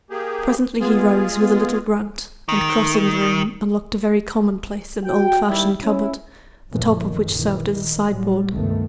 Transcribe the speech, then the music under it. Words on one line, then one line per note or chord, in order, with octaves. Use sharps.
Presently he rose with a little grunt, and, crossing the room, unlocked a very commonplace and old-fashioned cupboard, the top of which served as a sideboard.
A#3 G4 G#4
G#3 B3 F4 G#4
B3
D#3
F#4 G5
D#2 G3 E4
C#4 E4
A#1 F#2 A2 C#3 E3 F3
F#2 D#3
A#1 D#3 E3
D#3
A2 F#3 G3
C#2 G2 C3 D#3 A3 B3